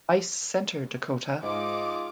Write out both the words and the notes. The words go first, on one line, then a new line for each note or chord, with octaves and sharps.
Ice Center, Dakotah!
G#2 D#4 F4 G#4 D6